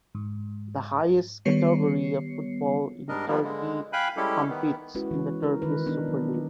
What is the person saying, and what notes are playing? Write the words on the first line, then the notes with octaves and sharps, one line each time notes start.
The highest category of Football in Turkey competes in the Turkish Super League.
G#2
D#3 G3 B3 C#5 C7 C#7
G#2 G3 D4 A#4 D#5
F3 G3 A#3 B3
D3 G#3
F5 G5 G#5 B5 F#6
G3 G#3 C#4 E4 G4 A4
D#3 B3
G#3 C#4 E4 F#4 B4
E3 C#4
A#4
D#3 D#4 B4
B3 D4 D#4
F#3